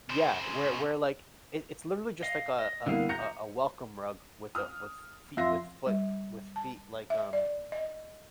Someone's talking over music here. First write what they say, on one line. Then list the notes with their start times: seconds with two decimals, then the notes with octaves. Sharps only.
yeah, where where, like, it it's literally just like a a a a welcome rug with a with feet with foot with feet, like, um,
0.10 C#3 C5
2.23 D#5 F5
2.59 D#5
2.86 C2 D3 A#3 B3 F5
3.09 A#5 G6 A#6 C#7
4.55 D#6 F6
5.37 F2 F4 E5 C6 A#6
5.87 G3
6.56 A5
7.10 E5
7.33 D5
7.72 D#5